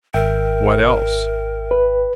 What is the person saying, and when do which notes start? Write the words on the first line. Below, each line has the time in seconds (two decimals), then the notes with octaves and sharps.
"What else?"
0.14 G#1 A#4 E5 G5
1.71 B4